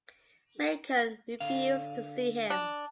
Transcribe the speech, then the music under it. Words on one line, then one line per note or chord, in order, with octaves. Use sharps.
Macon refused to see him.
D3 F5
D4